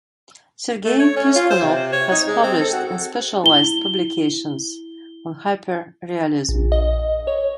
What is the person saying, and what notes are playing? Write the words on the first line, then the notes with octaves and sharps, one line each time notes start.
Sergey Piskunov has published in specialized publications on hyperrealism.
A3
C#5
C#4
F4
C5
C3
C#5
D#4
G#3
C4
A4
F#4
E4 G7
A#1
D#5
C#5